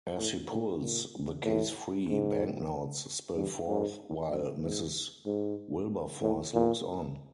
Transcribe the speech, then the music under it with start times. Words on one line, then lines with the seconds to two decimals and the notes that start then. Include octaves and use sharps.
As he pulls the case free, banknotes spill forth while Mrs. Wilberforce looks on.
0.18 A2
0.50 A2
0.82 A#2
1.45 A2
2.09 G#2
3.36 G2
3.67 G#2
4.31 F#2
4.62 G#2
5.26 G#2
6.22 A2
6.53 A#2